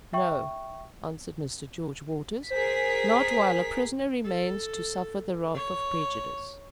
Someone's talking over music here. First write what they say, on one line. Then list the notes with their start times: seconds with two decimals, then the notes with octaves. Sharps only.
"No," answered Mr. George Waters; "not while a prisoner remains to suffer the wrath of prejudice."
0.13 E5 G5 C#6
2.50 G#4 A#4 C5 B6
4.24 A4
5.54 C#5